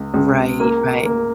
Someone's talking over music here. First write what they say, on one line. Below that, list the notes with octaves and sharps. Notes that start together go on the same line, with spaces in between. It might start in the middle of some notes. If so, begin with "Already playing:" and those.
Right, right.
Already playing: C#2
C#2
A#3
A#3